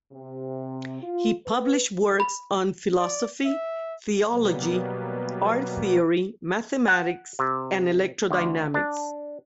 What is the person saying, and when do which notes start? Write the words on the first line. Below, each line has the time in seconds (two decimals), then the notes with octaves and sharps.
He published works on philosophy, theology, art theory, mathematics and electrodynamics.
0.13 C3
1.02 F4
1.46 B4
2.20 B5
3.00 D5
3.45 E5
4.28 B2 F#3 G3 A#3 B3
6.88 F#5
7.39 C3
8.30 D2
8.74 D4